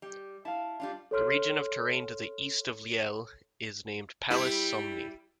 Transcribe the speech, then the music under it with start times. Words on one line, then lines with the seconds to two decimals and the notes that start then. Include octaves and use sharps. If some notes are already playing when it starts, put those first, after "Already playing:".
The region of terrain to the east of Lyell is named Palus Somni.
0.02 G3
0.45 E4 F5 A5
0.80 G3 D4 F4
1.11 A4 C#5 C6 F6
4.30 G3 E4